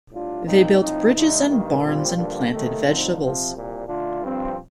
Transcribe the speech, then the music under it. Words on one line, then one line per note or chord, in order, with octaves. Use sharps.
They built bridges and barns and planted vegetables.
A2 G3 D4 F4
A#2 F3 C4 D#4
A2 F3 C4 D#4
G2 D3 A3 D#4
G2 D#3 A#3
A#2 G3 C4 F4
G2 D3 F3 A#3 D4
D#2 D#3 A3
D2 D3 F3 C4 D#4
C3 F3 C4
C2 A#2 G3
D3 A3 D4 F4
G2 F3 C4